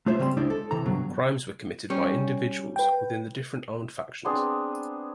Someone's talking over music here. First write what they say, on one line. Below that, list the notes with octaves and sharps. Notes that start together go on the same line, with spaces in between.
Crimes were committed by individuals within the different armed factions.
A3 F4 C5 C#5 E5
C#3 G3 C4 G#5 C6
C#2 G#3 D4 E4 C5 D5
A4
C3 E3 A4 A#5
G2 B2 D3 F#3
G3 C#4
B4 G5
B3 C4 D4 G#4